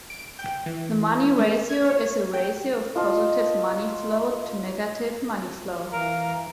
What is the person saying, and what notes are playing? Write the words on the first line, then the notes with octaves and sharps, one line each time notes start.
The money ratio is the ratio of positive money flow to negative money flow.
D7
G5
E3
G#3
G#6
C#5
G5
F4 D#5 A5
E3 A#4 F5 A#5